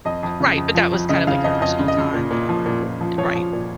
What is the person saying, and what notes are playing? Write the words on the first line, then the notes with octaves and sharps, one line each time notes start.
Right. But that was kind of like your personal time that you were Eh, right.
F2 D#5
F2
C#3
F2
F3
F2
C#3 D#5
C#3 F5
F2 D#5
F2 D#5
C#3
D#5
C#3
A#2
A#2
F3
A#2
A#2
F3
F3 C#5
F3
A#2